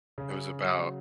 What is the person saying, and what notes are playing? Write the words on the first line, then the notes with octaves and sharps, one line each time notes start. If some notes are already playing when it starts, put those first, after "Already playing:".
It was about
C#3
F#3